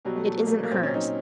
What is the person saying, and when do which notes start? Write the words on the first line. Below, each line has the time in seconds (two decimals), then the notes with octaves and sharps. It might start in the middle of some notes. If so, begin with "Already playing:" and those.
It isn't hers!
0.05 B2 F#3 G3
0.16 A3
0.26 A3
0.38 A#3
0.47 A3
0.63 A#3
0.71 A#2 F#3 C4
0.83 C#4
0.94 D#4